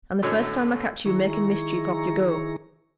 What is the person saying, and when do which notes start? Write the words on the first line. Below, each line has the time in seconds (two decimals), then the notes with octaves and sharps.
And the first time I catch you making mischief, off you go.
0.23 F#2 A2 D3 F#3 G#3 C#5
1.05 D#3 E4 G#4 A#5 C#6